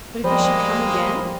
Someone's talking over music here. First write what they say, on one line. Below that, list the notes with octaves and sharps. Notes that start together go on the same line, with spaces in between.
"But if he should come again?"
F3 G3 G#3 A#3 C5 D#5 B5